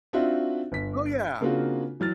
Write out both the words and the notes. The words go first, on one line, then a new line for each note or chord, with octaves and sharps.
Oh, yeah.
C4 D4 D#4 F4 F#4 E5
G1 B6
C#3 A#3 C4 D4 F4 F#4
E3 F#3 F6 A6